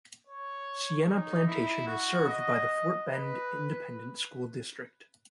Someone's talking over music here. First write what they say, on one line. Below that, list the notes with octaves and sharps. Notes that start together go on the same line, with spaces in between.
Sienna Plantation is served by the Fort Bend Independent School District.
C#5
D#4
E4
F#4
D#5
B4